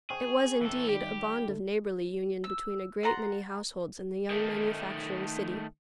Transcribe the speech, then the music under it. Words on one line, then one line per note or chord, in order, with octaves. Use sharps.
It was, indeed, a bond of neighborly union between a great many households in the young manufacturing city.
G#4 C5 G5 C#6
E3 A4
D#3 G3 G4
D3 A3
E6
D5 F#5 A#5 C6
D#3 A3